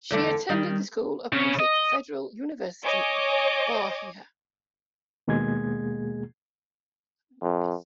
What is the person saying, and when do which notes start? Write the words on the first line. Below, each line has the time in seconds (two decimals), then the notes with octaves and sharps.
She attended the School of Music Federal University of Bahia.
0.11 E2 D3 A3
0.49 D#3 G3 D#4
1.33 C#3
1.60 D#5
2.84 C#5 D#5 G#5 D6
5.28 D#2 B2 G#3 A#3 G#4 G#6
7.42 F2